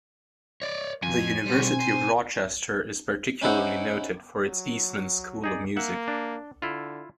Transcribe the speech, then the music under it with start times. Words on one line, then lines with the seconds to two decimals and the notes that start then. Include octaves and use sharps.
The University of Rochester is particularly noted for its Eastman School of Music.
0.62 C#5 D5
1.03 F2 G#5
1.46 B2 G3 C4 F#4
1.80 C5
3.42 C#4 D#4 E4 C5 F#5
4.45 F#3
5.44 D#4 G#4 D5
5.77 A#3 E5 F#5
6.08 D4
6.62 D3 E4 F4